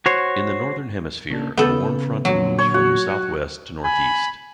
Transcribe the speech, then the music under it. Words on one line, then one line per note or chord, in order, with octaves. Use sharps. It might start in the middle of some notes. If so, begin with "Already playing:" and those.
In the Northern Hemisphere a warm front moves from southwest to northeast.
F#4 C5 C#5
C#3 A#3 D4
C#3 B3 A4
A#2 D3 F#3
C#5
F#4
G#5 B5